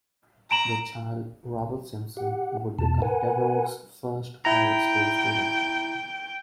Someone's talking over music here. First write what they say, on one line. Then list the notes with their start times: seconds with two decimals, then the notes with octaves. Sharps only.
The child, Robert Simpson, would become Devereux's first private school student.
0.51 A#5 D7 E7 F#7
2.17 G4 F#5
2.79 E2 B2 A5
3.02 A#4 B4 F#5 G#5
4.45 E4 G5 A#5